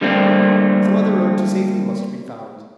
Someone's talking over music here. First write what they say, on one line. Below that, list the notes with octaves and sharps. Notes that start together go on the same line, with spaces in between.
Some other road to safety must be found!
D3 G3 A3 A#3 C4